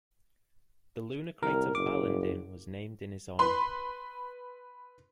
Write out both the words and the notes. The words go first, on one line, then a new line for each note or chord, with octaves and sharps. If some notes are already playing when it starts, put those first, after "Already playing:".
The lunar crater Balandin was named in his honour.
C2 A#4
F#1 D6
B4 B5 C6